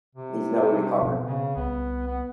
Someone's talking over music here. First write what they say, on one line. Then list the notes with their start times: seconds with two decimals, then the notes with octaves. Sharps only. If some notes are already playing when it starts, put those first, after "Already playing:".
He's never recovered.
0.15 C3
1.02 B2 C4
1.25 C#3
1.57 C2 B3
2.07 B3